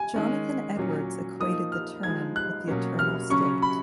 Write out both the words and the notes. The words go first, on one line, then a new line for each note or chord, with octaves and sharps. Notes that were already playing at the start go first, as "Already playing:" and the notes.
Jonathan Edwards equated the term with the eternal state.
Already playing: G#5
D#3 G#3 C#4
A#2 F#3 C#4
F3 A#3 D#4 D#6
F6
F3 G#3 D#4 G#6
F#6
B2 F#3 A#3 C#4
F6
C#3 F#3 C#4 C#6
B5